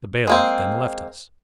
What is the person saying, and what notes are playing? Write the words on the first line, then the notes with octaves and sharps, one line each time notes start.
The bailiff then left us.
G#3 A#3 C4